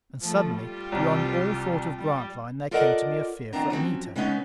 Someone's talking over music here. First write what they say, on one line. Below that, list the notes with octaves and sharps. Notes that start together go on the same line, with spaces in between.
And suddenly, beyond all thought of Grantline, there came to me a fear for Anita.
F3 A3
G3 F4 G4
C2 C3
G3
F4 A4 A#4 D5 D#5 F#5
D#3 B3 C4 D4 A#5
F3 F#3 C4 C#4
C#3 G#3 B3 C#4 D#4